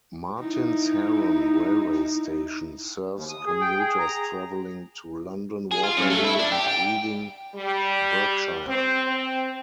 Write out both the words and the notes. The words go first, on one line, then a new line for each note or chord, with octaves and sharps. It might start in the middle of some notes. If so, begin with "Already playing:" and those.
Martins Heron railway station serves commuters travelling to London Waterloo and Reading, Berkshire.
D#4 E4
D#2
D#6
G#4
G5
G#4
A#5
G#4
F4
F#2
A3
E4
D4
G4
G5
G3
C4
C4